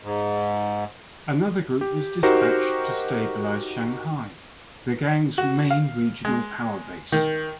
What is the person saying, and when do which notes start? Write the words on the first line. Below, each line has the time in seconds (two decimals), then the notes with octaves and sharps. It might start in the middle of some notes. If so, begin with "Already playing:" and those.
Another group was dispatched to stabilize Shanghai, the Gang's main regional power base.
0.03 G#2
1.81 G4
2.23 D#4 F#4 G4 A#4 C5
5.38 F#4
5.70 F5
6.25 G#3
7.12 D#3